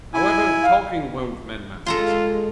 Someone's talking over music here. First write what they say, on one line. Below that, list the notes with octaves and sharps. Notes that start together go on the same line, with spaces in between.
'However, talking won't mend matters.
E4 G#5
F5
G#3 F4 A4 A#5 C6